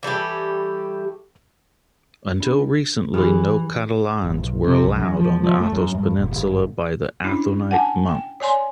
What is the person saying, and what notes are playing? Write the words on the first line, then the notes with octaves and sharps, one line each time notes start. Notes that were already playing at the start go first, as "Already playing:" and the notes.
Until recently no Catalans were allowed on the Athos peninsula by the Athonite monks.
E3 G3 A3 G4
D4
E3 D#4 G4 G#4
G1
B1
C3
B1
F#2
F3
F3
A3
F#2
G2
D#1
G1
C#4 D4 E4
F#5 G#5 A5
G5
C#5 D5 G#5 C6